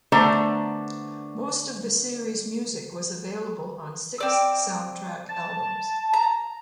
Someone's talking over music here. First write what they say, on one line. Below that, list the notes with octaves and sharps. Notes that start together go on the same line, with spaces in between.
Most of the series' music was made available on six soundtrack albums.
D3 A3 B3 D4 C5 A#5
C4 D5 E6
A5
A#5